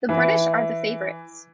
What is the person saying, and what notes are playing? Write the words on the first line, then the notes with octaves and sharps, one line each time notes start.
The British are the favorites.
E3